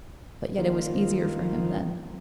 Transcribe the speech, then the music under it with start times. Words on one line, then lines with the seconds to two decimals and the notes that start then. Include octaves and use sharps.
But yet it was easier for him then.
0.58 D#3 A#3 F4